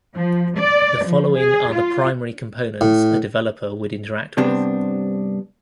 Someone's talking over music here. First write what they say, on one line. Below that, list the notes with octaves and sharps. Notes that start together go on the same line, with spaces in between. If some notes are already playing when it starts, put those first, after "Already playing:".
The following are the primary components a developer would interact with.
F3
D5
F3
G#4
F4
A2
G2 C3 B3 C4 D4